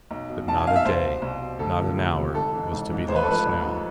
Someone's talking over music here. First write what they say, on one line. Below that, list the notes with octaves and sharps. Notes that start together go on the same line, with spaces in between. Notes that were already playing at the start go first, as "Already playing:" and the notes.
But not a day, not an hour, was to be lost now.
B1
B2
B1 A5
G#5
B2 F5
E5
C2 C5
B2
C2
B2
D2 A4
C3 F3
D2
C3 F3
G#1 A4
G#2 E3
G#1
G#2 E3
A1 C5
B4
A4
G#2 F3 B4
A1
G#2 F3